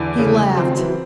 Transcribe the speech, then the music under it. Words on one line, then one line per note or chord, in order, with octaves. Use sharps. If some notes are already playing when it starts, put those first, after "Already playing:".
He laughed.
Already playing: E2 D3 E3
C#3
F#3
D#3 F3 C4
E3 F#3